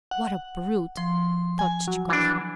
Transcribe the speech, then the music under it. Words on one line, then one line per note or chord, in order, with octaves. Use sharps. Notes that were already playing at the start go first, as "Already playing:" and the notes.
"What a brute!" thought Chichikov.
F#5
F3 C6
G#5
F#3
E3 D4